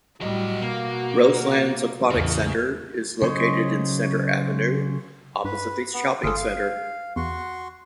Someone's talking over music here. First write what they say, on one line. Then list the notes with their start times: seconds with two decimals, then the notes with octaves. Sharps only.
Roselands Aquatic Centre is located in Centre Avenue, opposite the shopping centre.
0.21 A2 F#3 G3 F#4 D#5
0.61 B2 A#3
2.10 A1 E2 C#3
3.22 C#3 F#3 C5 C#5 D#5
5.44 G2 B4
5.94 B3
6.23 G1 F4 G#4 A4
6.36 F5
7.16 E2 F#4 C6 C#6